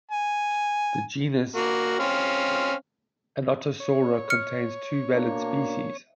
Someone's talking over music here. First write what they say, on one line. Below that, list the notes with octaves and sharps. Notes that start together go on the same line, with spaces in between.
The genus "Anotosaura" contains two valid species.
G#5
A#3 F#4
C4 C#4 F5
C#5
F6 C#7
B2 A#3 D4